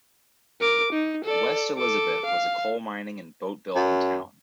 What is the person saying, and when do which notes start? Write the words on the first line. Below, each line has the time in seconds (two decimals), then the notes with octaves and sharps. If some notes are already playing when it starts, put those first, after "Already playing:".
West Elizabeth was a coal mining and boat-building town.
0.61 A#4 D6
0.93 D#4
1.25 A4 D5
1.78 A4 D6
2.26 F5
3.76 F#2